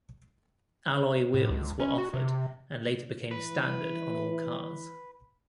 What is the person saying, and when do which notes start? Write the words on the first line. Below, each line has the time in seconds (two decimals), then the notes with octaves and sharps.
Alloy wheels were offered and later became standard on all cars.
1.34 A2
1.50 C#2
1.80 C#4
1.98 F#4
2.14 C3
3.31 E3 B4